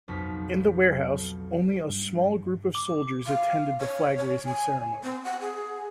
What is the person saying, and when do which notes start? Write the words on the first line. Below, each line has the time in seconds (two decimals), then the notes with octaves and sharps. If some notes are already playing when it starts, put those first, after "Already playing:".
In the warehouse, only a small group of soldiers attended the flag-raising ceremony.
0.08 B1 F2 B6
1.89 G2
2.75 D6
3.26 F5
3.80 C#5
4.18 C#5
4.45 G#5
5.04 C4
5.24 F#5
5.41 G#4